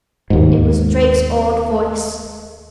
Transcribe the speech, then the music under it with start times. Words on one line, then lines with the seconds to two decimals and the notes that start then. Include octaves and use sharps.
It was Drake's awed voice.
0.30 D#2 G#2